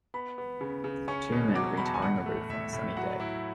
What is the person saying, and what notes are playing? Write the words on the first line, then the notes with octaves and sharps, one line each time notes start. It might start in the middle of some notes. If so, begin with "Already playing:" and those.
Two men retarring a roof on a sunny day.
B3 B5
B3
C#3
C#3
C#4 C#6
B2
F#3 D6
E2 B5
A5
G#5
A2 F#5
A3
A2 E5
A2
F#3 F#5
E4